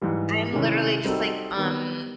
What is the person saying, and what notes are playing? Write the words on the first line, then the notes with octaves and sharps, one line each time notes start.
I'm literally just, like, um
G#2 E3 G3
C3 D#3 G#3 C#4 E4
G3 C4 D#4 F#4 A4
D#3 G3 B3